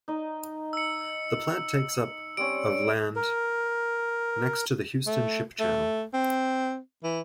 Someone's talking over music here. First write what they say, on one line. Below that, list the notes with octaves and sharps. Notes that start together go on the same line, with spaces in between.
The plant takes up of land next to the Houston Ship Channel.
D#4 D#5
E6 C#7
G3 C4 C#4 D7
A#4
A3
A3
C4
E3